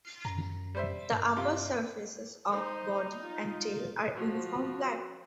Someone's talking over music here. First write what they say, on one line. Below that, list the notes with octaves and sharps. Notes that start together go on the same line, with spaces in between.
The upper surfaces of body and tail are uniform black.
F#2 A#5
G3 C5 E5
G2
C3 F4
D#4 C5
F4
F3 F#4